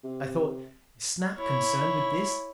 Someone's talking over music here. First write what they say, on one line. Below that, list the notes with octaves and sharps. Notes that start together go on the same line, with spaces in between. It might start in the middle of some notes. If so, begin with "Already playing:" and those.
I thought, "Is Snap concerned with this?"
C3
E4 C#5